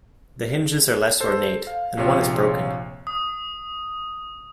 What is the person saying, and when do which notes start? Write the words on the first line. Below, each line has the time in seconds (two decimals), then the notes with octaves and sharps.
The hinges are less ornate, and one is broken.
1.20 A4 C5
1.67 F5
1.97 A#1 C3 F4 C#5
3.07 D#6